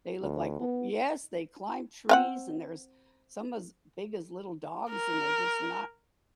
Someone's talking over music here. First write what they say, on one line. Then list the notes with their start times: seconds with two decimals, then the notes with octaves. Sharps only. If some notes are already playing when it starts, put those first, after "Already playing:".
they look like l yes, they climb trees and there's some as big as little dogs and they're just not
0.22 D2
0.60 B3
2.09 C4 F5 F#5
4.91 A#4